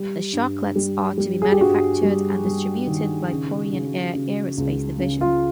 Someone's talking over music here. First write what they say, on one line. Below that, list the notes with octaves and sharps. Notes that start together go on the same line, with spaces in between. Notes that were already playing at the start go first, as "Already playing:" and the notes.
The Sharklets are to be manufactured and distributed by Korean Air Aerospace Division.
Already playing: G3
G2
G3
G3
G#4
G4
G2 F#4
G3
G3
D#3
C#3
C#3
C#3
C#2
C#3
F4